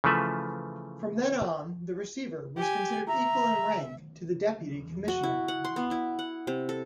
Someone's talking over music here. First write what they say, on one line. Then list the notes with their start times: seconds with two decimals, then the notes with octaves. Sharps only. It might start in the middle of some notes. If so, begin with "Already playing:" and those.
From then on, the Receiver was considered equal in rank to the Deputy Commissioner.
0.04 C#3 E3 F3 A3 B4 E5
2.57 G4 G#5
3.08 E5 A#5
5.08 F#4
5.23 E4
5.48 F#5
5.64 C6
5.76 B3
5.91 E4
6.19 F#5
6.47 C3
6.69 A4